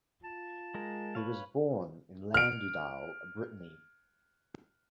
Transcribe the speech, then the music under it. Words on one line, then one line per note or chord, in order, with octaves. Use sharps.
He was born in Landudal, Brittany.
F4 A5
G#3 A#4
B4 C#5 F5
F6 D7